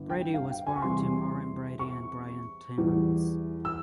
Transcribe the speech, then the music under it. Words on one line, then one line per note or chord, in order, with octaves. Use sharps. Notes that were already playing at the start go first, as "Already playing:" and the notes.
Brady was born to Maureen Brady and Brian Timmons.
Already playing: G1
G5
F5
G5
G#5
C#6
E2 C3 G3 C6
C#6
E2 E3 G3
E6